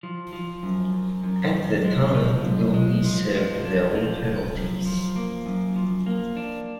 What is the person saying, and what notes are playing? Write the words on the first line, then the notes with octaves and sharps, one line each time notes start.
At the time, goalies served their own penalties.
F3
F3
F#2
F#2
F#2
F#2
G#3
F3
F#2
G#3
F3
F3
D4
F3
F3
F#2
F3
A#3
F#2
F3
A#3
D4